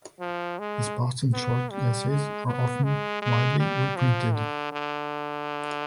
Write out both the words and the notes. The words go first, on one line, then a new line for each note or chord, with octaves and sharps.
His posts and short essays are often and widely reprinted.
F3
G#3
B3
G3
G#3
B3
G#3
G#3
G3
F3
D3
D3